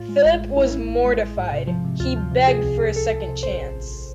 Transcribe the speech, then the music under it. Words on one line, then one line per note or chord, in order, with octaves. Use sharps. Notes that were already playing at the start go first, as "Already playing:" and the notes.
Philip was mortified. He begged for a second chance.
Already playing: A2 F4
G#3
A1
A2
A1 E4
A1
A1
G#3
G#3
G#2
C3
F3
C3
D2 F4
F3
C3
C3 G#4
C2
C2
C2 A4
C2
C3
A1 C5
A1
A1